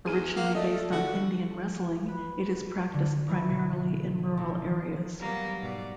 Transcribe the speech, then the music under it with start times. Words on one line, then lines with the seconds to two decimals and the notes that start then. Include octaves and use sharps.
Originally based on Indian wrestling, it is practiced primarily in rural areas.
0.06 E2 G#4 F6 D#7
0.36 A#3 F5 F#5
0.55 A3 A4 D5 D#5
0.92 D3 F#4
2.08 B4
2.40 F#4
2.94 D3
3.29 E3
3.50 B2
4.37 A1
5.18 F#3 G3 A#3 B3
5.59 G#2 B2 D5